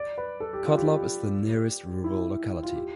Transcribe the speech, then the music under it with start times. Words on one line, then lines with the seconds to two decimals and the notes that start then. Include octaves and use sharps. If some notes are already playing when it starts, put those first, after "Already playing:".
Khotlob is the nearest rural locality.
Already playing: D5
0.18 B4
0.40 A4
0.53 G4
0.65 F4
0.77 G4
2.04 E4
2.63 F4
2.76 G4